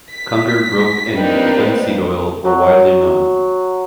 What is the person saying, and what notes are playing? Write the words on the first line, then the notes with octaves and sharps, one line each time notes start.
Kungur rope and linseed oil were widely known.
B6
A#3 C4 D4 D#4 G4 B4
F#3